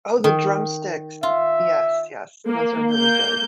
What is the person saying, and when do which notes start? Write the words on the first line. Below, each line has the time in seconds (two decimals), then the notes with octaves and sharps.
Oh, the Drumsticks. Yes, yes. Those are really good.
0.24 D#3
1.23 F4 E5
2.47 A#3
2.92 A#3 G6